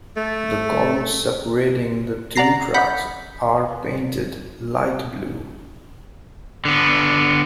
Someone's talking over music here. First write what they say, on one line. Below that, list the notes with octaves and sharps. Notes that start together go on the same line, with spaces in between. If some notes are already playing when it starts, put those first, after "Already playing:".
The columns separating the two tracks are painted light-blue.
A3
D5 F#5 A#5 A#6 C7
F#5 B5 G6 B6
D3 B3